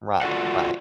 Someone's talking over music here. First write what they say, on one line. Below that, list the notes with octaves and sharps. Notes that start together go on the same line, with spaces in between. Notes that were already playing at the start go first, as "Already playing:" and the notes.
Right, right.
F4 F#4 A4 D5 F#5